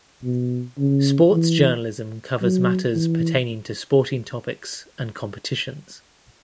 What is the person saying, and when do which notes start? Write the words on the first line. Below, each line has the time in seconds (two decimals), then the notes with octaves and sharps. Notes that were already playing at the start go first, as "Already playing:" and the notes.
Sports journalism covers matters pertaining to sporting topics and competitions.
0.24 B2
0.78 C#3
1.33 E3
2.41 F#3
2.95 E3